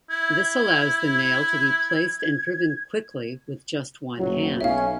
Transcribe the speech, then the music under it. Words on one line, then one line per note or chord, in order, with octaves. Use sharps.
This allows the nail to be placed and driven quickly with just one hand.
E4 G#6
F#1 F#3
B1 C#4 E5 F5